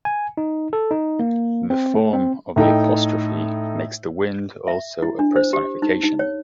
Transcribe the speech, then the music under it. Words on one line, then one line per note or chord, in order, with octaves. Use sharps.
The form of the apostrophe makes the wind also a personification.
G#5
D#4
A4
D#4
A#3
C4
A3
C4
A2 D#4 A4 G5
E5
E4
D4
C5
G4
D#4
D#4
C#5